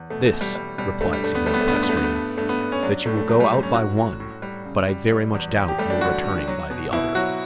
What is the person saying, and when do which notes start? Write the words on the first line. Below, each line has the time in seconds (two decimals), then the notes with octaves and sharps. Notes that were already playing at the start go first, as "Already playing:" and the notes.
"This," replied Signor Pastrini, "that you will go out by one, but I very much doubt your returning by the other."
Already playing: E2
0.10 B2 A3
0.26 A3
0.33 B2
0.41 G3
0.55 G3
0.78 B2 G3
1.01 G2 A3
1.13 G3
1.24 G2 A3
1.35 B3
1.46 G3 A3
1.54 B3
1.61 A3
1.68 G2 B3
1.75 A3
1.83 B3
1.89 A3
1.92 G2
1.97 B3
2.04 A3
2.15 G2
2.38 G2 A3
2.49 B3
2.60 G2
2.72 C#4
2.83 F#3 D4
3.06 A2 A3
3.17 A3
3.29 F#3 A3
3.40 G3
3.52 F#3 A3
3.63 C#4
3.74 A2 F#4
3.97 A2
4.20 A2
4.42 G3
4.66 C#3
4.89 G3
5.11 G3
5.34 E2
5.57 E2
5.68 G4
5.78 G3 A3
5.90 D4
6.01 D3 F#4
6.24 D3
6.48 F#3
6.70 B2
6.93 B2 E4
7.15 F#3 F#4